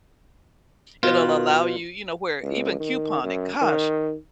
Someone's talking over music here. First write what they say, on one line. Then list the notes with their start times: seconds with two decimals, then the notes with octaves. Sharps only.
it'll allow you You know, where even couponing, gosh,
1.03 B2 F4
2.42 C#2
2.80 D#3
3.23 F#2
3.61 D#3